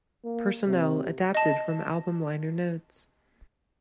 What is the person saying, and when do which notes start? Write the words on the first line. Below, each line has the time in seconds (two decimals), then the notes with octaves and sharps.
Personnel adapted from album liner notes.
0.24 A#3
0.67 C3
1.35 D#5 A5